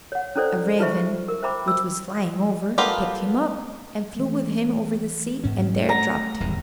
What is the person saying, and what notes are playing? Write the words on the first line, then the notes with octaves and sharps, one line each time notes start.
A raven, which was flying over, picked him up, and flew with him over the sea, and there dropped him.
C#5 F#5
C#4 E4 A4 C5 D5
D#4 F4 B4 C5 E5 C#6
A#4
C5 E5 G5 A#5 B5 D6
E6
A#3 B3 F4 G4 A4
E3 A3
G#2 C#4
A3 F#5 A#5
D1 E2 G#2 G3